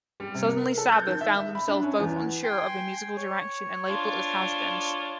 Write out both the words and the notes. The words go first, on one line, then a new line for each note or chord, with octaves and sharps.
Suddenly Sabbath found themselves both unsure of their musical direction and labeled as has-beens.
G3
C3
A#4
A4
G6
D#3
E5
E5
B5
D4
C#4
E2
G5 G#5 C6
C#5
D4 F4